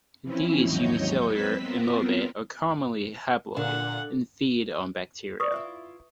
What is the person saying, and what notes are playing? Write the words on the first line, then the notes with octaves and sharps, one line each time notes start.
These unicellular amoebae are commonly haploid, and feed on bacteria.
E3 F3 C4 C#4 E4
D#2 G#2 F#3 C#5 D#5 G6
C4 B4 E6 B6
B3 C4 F4 A#4
A#2 D3 F#5
B4 D5 C#6 D#6
E4 F4 E5